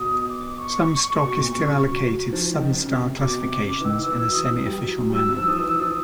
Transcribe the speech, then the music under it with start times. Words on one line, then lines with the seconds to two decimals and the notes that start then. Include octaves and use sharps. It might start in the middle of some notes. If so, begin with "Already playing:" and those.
Some stock is still allocated Southern-style classifications in a semi-official manner.
Already playing: B2 D#6
0.26 D#6
0.30 D6
0.58 C#6
1.23 B2
1.40 A#2
1.56 C#3
1.72 C#3
1.89 F#3
2.11 F#3
2.33 F3
2.54 D#3
2.76 C#3
2.89 C#3
2.98 C3
3.19 B2 D6
3.41 C3
3.62 C#3
3.80 E3
3.84 D#3 E6
4.01 E6
4.06 E3
4.17 E6
4.28 F#3 D#6
4.50 E3
4.66 G3
4.82 F#3
4.98 F#3
5.10 G3
5.14 F#3 E6
5.37 F3
5.47 F3 D#6
5.59 E3
5.69 E6
5.79 F3 D#6